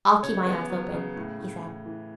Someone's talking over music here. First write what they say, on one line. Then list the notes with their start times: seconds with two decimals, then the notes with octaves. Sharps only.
'I'll keep my eyes open,' he said.
0.23 C#3 C#5
0.47 B3
0.70 F#3
0.94 C#3
1.16 A2
1.39 A2
1.62 A2
1.86 E3